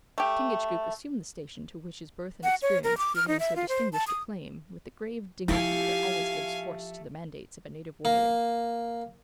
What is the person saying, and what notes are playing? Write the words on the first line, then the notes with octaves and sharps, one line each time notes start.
Chingachgook assumed the station to which his birth and experience gave him so distinguished a claim, with the grave dignity that always gives force to the mandates of a native warrior.
A3 G4
F#5
C#5
A#4
D6
F6
D#4
E5
F4
C5
A5
D#6
F3 A3 E4 F4 G4 F5 G#5
A#3